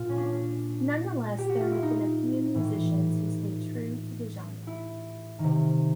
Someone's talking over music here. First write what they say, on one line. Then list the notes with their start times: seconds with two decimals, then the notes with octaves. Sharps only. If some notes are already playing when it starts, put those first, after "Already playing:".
Nonetheless, there have been a few musicians who stay true to the genre.
Already playing: A#2 F4
0.09 C#4
0.17 D4
1.38 G4
1.49 F#4
1.61 F4
1.72 E4
1.83 D#4
2.55 A2 E3
4.67 E4
5.39 C3 D#3